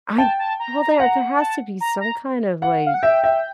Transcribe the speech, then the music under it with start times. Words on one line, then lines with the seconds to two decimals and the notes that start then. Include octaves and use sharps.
I well there there has to be some kind of, like
0.18 G5 A5
0.39 A5
0.60 A#5
1.00 F#5
1.40 A5
1.81 A#5
2.01 A#5
2.62 F#5
2.86 F5
2.94 F#5
3.02 E5 G5
3.24 E5